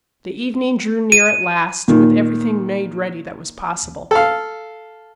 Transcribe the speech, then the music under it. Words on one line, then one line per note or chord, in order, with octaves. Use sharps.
The evening drew near at last, with everything made ready that was possible.
D#7
A#2 D#3
A4 F5